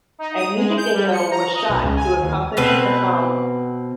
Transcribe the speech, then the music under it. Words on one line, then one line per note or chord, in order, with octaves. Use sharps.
A music video was shot to accompany the song.
D#4
D#6
G#3
G6
G3
C#7
A#5
D#5
B1
C#2
G#5
D#2
B2 C4 B4